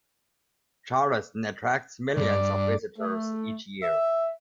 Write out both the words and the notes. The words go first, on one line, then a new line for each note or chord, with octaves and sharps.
Charleston attracts millions of visitors each year.
C#2 G2 D5
A3
E5